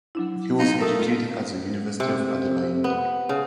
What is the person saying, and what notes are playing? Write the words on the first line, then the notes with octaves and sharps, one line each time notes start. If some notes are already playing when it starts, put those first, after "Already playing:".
He was educated at The University of Adelaide.
F#3 D4 E4
D#4 F5
A3 A#4 D#6
F4
C3
B3
C#3